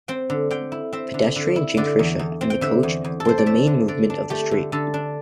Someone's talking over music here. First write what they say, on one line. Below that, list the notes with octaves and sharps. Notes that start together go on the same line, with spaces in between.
Pedestrian, Jinrikisha and coach were the main movement on the street.
C4 G5
D3
D3 G5
E4
C4 E5
D3
D3
E4
D3 D5
E2
E2
C4
G5
D3 E5
E2
E2
A4
C4 C5
D5
A3 E5
D3
D3 D5
D4
A3 G4
D3
D3 A4
D4